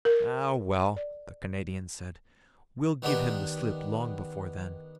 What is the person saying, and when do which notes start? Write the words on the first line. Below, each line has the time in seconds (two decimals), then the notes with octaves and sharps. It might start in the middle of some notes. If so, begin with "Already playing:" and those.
"Oh well," the Canadian said, "we'll give him the slip long before then."
0.05 A#4
0.96 D5
3.02 D#3 B3 D4 G4 B4